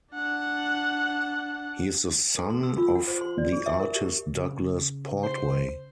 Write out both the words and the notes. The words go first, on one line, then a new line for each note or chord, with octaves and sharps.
He is the son of the artist Douglas Portway.
D4 F#5
A4
C6
E6
F4
F#5
C5
C6
D5
G#4
E5
A#4
G4
C#3
C5